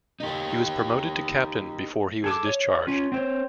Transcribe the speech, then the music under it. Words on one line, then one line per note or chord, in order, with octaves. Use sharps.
He was promoted to Captain before he was discharged.
D#4 G4
G#4 A4 D6
C#5
C#4 F4
C4 C5 C#5